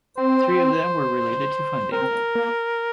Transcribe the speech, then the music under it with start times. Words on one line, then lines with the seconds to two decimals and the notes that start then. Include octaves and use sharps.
Three of them were related to funding.
0.17 C4 C5
1.92 C4 A#4
2.35 A#3